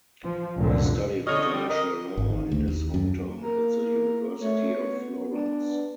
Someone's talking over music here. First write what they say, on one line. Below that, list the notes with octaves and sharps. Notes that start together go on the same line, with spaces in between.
He studied international law in his hometown at the University of Florence.
F3
F1 C#2 F#2 A#2 D3 F3
D3 C#5 D#5 F6
G3
A#4 D#5
G#1
D#3
D2
D#2
F#2
A#3 A#4
A3 C#5
B3
D4